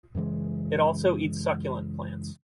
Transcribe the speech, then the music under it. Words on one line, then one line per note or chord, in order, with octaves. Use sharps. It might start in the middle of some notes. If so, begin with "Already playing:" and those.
It also eats succulent plants.
F#2 C#3 E3 G#3